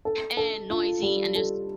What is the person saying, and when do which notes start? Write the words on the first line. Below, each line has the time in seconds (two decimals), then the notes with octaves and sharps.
and noisy, and there's
0.05 A4
0.37 A4
0.70 F4
1.02 G3
1.35 A4